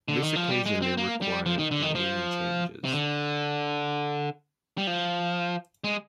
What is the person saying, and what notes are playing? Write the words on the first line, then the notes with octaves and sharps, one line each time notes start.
This occasionally required name changes.
D3
D#3
F3
G3
G#3
C4
A#3
G3
F3
D#3
D3
D#3
F3
C3
D3
G3
F3
G#3